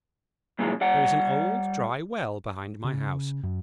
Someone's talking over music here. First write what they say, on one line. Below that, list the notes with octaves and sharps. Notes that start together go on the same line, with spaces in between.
'There is an old, dry well behind my house.
G2 A#2 C#3 E3 F#3 G#3
G3 D5 F#5
C#3
F#2